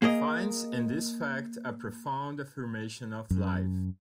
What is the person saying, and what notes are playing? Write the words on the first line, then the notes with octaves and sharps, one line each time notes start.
He finds in this fact a profound affirmation of life.
A#3 G#4 A#4 D#5
F#2